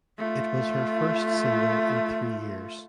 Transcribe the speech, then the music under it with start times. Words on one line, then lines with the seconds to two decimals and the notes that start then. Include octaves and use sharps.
It was her first single in three years.
0.18 A3 F4